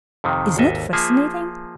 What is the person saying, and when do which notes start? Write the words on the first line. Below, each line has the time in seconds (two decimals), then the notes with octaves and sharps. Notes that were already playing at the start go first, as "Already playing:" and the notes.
Isn't it fascinating?
0.24 F2 C3 D#3
0.57 G#1 D#2 A4 D#5 E5
0.93 F3 A#3 G#4 E5